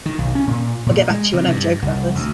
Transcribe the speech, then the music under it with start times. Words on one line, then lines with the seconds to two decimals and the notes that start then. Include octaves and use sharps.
I'll get back to you when I have a joke about this.
0.06 D#3
0.19 B1
0.35 C#4
0.47 A#2
0.86 A#2
1.10 G#3
1.33 C3
1.48 G2
1.82 C2
2.15 D2